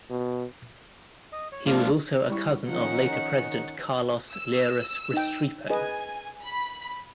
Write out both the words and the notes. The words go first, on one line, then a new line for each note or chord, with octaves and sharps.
He was also a cousin of later president Carlos Lleras Restrepo.
B2
D#5
C#5
F3 G#3 A#3 D4 F4
G3 E4 C#6
D#3 F3 C#4 D#4 F#5
E6
D#4 G5
G#4 B4 D#5 G#5
B5